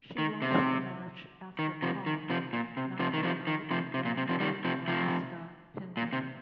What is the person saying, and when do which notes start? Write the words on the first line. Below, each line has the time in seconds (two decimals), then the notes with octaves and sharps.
She lost the match after Kong knocked her out then Morasca pinned her.
0.18 D#3
0.42 C3
1.59 D#3
1.82 C3 F3
2.06 D#3
2.30 C3 F3
2.53 A#2
2.77 C3
2.99 C3 F3
3.14 D#3
3.23 C3 F3
3.47 D#3
3.71 C3 F3
3.94 C3
4.05 A#2
4.17 C3
4.29 C3 F3
4.40 D#3 G3
4.65 C3 F3
4.88 C3 F3
5.97 A#2
6.13 C3